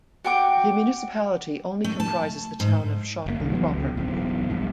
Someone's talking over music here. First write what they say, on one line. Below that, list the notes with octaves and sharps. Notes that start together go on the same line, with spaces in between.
The municipality only comprises the town of Schoten proper.
F#4 G5 D6
A3
A5
G#2
F#1 B2 A#3
C2 D#3
E3 F#3 G#3 B3
C#2
D1 B1 E2 C4
A#1 G2